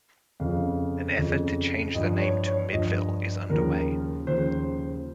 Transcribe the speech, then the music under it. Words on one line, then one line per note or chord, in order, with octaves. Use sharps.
An effort to change the name to MidVil is underway.
F2 C#3 F3 F5
F2 C#3 F3
G2 F3 D#5
C#5
C#5
G2 F3 D#5
D#2 C#3 F3 A#4
D#2 C#3 F3 C5